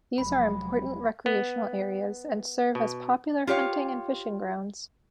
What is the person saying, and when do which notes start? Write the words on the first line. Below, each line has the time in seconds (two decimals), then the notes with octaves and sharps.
These are important recreational areas, and serve as popular hunting and fishing grounds.
0.18 F1 F#3 G#3 B5
1.26 B3
2.75 B2
3.47 F4 G4 C#5 F5